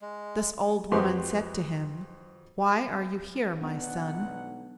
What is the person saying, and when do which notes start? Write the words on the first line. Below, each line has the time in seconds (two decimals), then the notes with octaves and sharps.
This old woman said to him, "Why are you here, my son?"
0.02 G#3
0.92 F2 F#4 G4 B4 C5 C6
3.61 B1 B3 D4 F#5